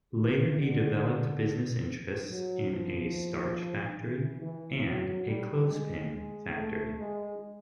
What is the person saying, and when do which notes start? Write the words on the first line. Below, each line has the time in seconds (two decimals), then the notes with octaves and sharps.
Later he developed business interests in a starch factory and a clothespin factory.
0.16 D#3
0.58 D3
2.29 F#3
2.71 F3
4.00 E3
4.42 E3
4.84 F#3
5.27 G3
5.70 G#3
6.12 G#3
6.55 A3
6.98 G#3